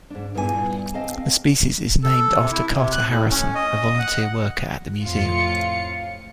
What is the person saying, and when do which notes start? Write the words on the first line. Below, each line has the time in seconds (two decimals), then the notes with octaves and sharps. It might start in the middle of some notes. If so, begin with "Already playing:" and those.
The species is named after Carter Harrison, a volunteer worker at the museum.
0.10 G#2 D4
0.35 G2 A#2 B3 E4 A4 G#5
0.94 C4 D#5 F5 A5
2.03 A4
2.37 C3
2.51 E4
2.74 C3
2.93 F#6
3.10 A2
3.31 C#4
3.55 D#5
3.99 F#5
5.03 F2 A2 F4 C#7